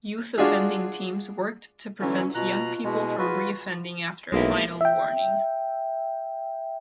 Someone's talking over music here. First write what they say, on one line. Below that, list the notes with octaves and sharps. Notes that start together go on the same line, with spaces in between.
Youth Offending Teams worked to prevent young people from reoffending after a Final Warning.
G#3 D4 F4 F#4 G#4
D3 E3 F#3 C#4
B2 F4 A#5 F#6
B2 G#3 E4 G#4
F4 F#4 B4
B1 G#3 A#3 E4
E5 G5